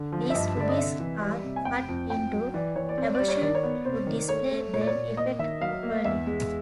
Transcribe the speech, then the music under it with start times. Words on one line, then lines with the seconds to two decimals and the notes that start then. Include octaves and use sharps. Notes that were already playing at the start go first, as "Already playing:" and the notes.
These rubies are cut into cabochons to display the effect properly.
Already playing: D3
0.12 F3
0.30 E5
0.34 G2 D#5
0.57 D3 D5
0.69 D#5
0.78 C3 E5
1.00 E3
1.22 G3
1.44 C3
1.56 G#5
1.65 F1 G5
1.89 F2
2.10 F2 G5
2.32 F#3
2.54 E3 D5
2.76 E3 C#5
2.89 D5
2.98 C4 C#5
3.15 G3 D5
3.28 C#5
3.42 D#3 D5
3.55 C#5
3.63 B3
3.85 C3 C5
4.07 D#3
4.29 A3 C#5
4.51 A3
4.73 A#2 C#5
4.81 D5
4.87 C#5
4.95 A#2
5.17 A#3 D#5
5.39 D#3 E5
5.61 F#3 F5
5.83 A#3
6.05 E2 E5
6.27 G#3